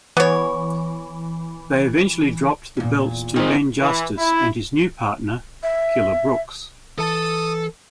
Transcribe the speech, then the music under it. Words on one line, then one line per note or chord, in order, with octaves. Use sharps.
They eventually dropped the belts to Ben Justice and his new partner, Killer Brooks.
E3 B3 C#5
E2 A#2
D#3 C4 D#4 F4 G#4
E3
E4
E5
E3 A4 A5 D#6